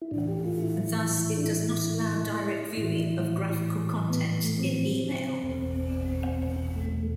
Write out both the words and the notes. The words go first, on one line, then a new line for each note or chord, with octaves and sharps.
Thus it does not allow direct viewing of graphical content in email.
E4
A2 E3 D4
G4
F4
E4
D4
E4
A2 E3 E4
B3
A3
C4
B3
C4
E2 B2
A3
A3